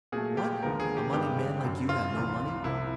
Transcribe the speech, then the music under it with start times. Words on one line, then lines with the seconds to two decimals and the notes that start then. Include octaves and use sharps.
"What! a moneyed man like you have no money?"
0.12 A#2 F#3 A3 G#4
0.37 G4
0.62 D#2 D3 F3 G#3 B3 A#4
0.80 G#4
0.97 G4
1.13 G2 D#3 G#3 B3 G4
1.38 G4
1.63 F#2 D3 F#3
1.89 F4
2.14 C2 C3 E3
2.64 C2 C3 F3 E4